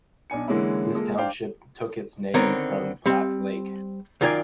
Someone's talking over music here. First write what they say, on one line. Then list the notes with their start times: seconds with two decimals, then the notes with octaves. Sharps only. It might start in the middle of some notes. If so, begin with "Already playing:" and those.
This township took its name from Platte Lake.
0.30 B1 D4 G#5 C#7
0.48 D3 E3 G#3 A#3 C#4 E4
0.95 G#3 A#3 F4 A4
1.18 D4 C5 F5 G5
2.34 D3 D#3 B3 C4 A#4 C#5
3.06 G3 C4
4.21 F#2 D#3 F4 A#4 D5 G#5